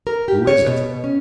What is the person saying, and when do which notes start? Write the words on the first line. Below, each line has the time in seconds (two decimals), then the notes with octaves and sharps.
"Who is it?"
0.07 A#4
0.28 G4
0.47 C#5
0.67 B2
1.04 C#4